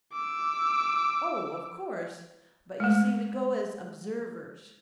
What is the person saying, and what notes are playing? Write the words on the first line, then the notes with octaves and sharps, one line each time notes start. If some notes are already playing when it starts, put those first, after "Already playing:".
"Oh, of course, but, you see, we go as Observers."
D6 E6
G#3 A3